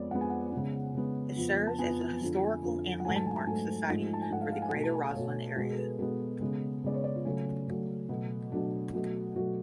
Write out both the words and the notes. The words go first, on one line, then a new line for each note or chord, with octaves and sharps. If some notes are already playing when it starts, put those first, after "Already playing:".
It serves as the historical and landmark society for the Greater Roslyn area.
Already playing: F2 F3 G#3 B3 C#5 D5
F2 F3 G#3 B3 F#5
G#5
F#5
C#3 G#3 B3
C#3 G#3 B3
F2 F3 B3
A5
F2 F3 B3 G#5
F2 D3 F3
F2 D3 F3
F#5
G#2 F#3 A3 G#5
A5
G#5
A5
G#2 F#3 A3 G#5
G#2 F3 A3
A5
G#5
G#2 F3 A3 F#5
F5
F5
G#5
F#5
B2 A3 G#5
A5
G#5
F5
B2 A3 C#5
B2 G#3 B3 F#4
G#4
A4
B4
B2 G#3 B3 A4
C#3 G#3 B3
C#3 G#3 B3 D5
C#5
D5
F4
C#3 F#3 A3 C#4
C#3 F#3 A3
B2 F#3 A3
B2 F#3 A3 D4
B2 F#3 A3
B2 F#3 A3 F#4